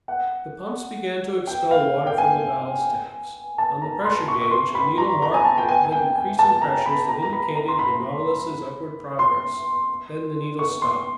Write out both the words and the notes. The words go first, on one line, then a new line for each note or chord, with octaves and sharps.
The pumps began to expel water from the ballast tanks; on the pressure gauge, a needle marked the decreasing pressures that indicated the Nautilus's upward progress; then the needle stopped.
F#5
G5
F5
G5
G#5
A5
A#5
B5
C6
C#6
C#6
C6
B5
A#5
A#5
G#5
A5
G5
G#5
G#5
G5
G#5
A5
A#5
B5
A#5
A#5
B5
A#5
C6
B5
C6
C#6
C6